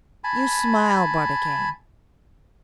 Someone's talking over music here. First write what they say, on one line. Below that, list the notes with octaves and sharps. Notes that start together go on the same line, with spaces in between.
You smile, Barbicane.
G#5 A5 B5